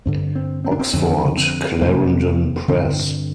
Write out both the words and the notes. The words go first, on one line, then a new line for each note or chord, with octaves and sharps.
Oxford, Clarendon Press.
G2 D3 C4
C4
C4
D4
C4
F2 D3 C4
C4
F2 C3 A#3
G2 D3 C4